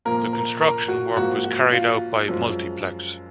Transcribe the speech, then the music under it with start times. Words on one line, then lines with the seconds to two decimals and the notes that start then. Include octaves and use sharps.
The construction work was carried out by Multiplex.
0.05 A#2 F3 A#3 A#4
0.33 A#4
0.61 A#4
0.88 F#4
1.16 G#2 F3 A#3 F#4
1.44 F#4
1.72 F4
2.28 F#2 F3 G#3